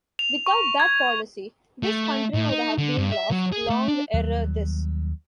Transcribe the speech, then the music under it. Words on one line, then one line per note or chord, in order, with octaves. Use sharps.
Without that policy, this country would have been lost long ere this.
F7
C#6
G#6
A3
A2
D#4
D3
G2
E5
F#3
G#4
A3
D4
D#2 F#3 G3